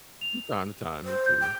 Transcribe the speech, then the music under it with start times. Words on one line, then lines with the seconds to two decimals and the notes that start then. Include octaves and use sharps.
From time to time, me too.
0.21 F7
1.05 C5
1.26 G6
1.41 G5